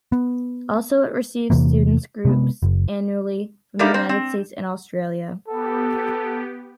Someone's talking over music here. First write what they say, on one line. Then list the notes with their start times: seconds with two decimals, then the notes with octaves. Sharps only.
Also, it receives students groups annually from the United States and Australia.
0.12 B3
1.50 E2 C3 E3 A#3
2.25 C3 G#3 B3
2.63 F#1
3.79 G3 A3 A#3 D4 D#4 G4
3.94 A#3 C4 C5
4.09 C4
5.49 B3 G4 A4